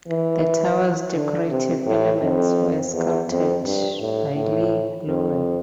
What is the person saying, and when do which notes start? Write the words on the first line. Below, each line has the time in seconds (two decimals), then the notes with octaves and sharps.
The towers's decorative elements were sculpted by Lee Lawrie.
0.08 E3
1.15 D3
1.50 C3
1.86 A2
2.22 F2
2.93 E2
3.29 F2
3.65 G2
4.00 A2
4.36 A2
5.07 F2